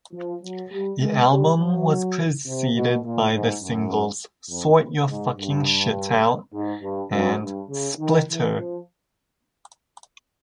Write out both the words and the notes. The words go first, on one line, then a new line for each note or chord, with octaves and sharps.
The album was preceded by the singles "Sort Your Fucking Shit Out" and "Splitter".
F3
F#3
G3
G#3
G3
F#3
C3
B2
A#2
G#2
F#2
F2
G#2
G2
G#2
G2
F#2
G2
C#3
D#3
E3
F3